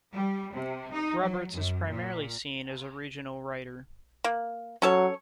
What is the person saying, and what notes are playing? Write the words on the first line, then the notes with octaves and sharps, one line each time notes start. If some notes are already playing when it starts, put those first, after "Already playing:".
Roberts is primarily seen as a regional writer.
G3
C3
D#4
F#3
F#2
A#2
A#3
F#3 C#4 A4 C#5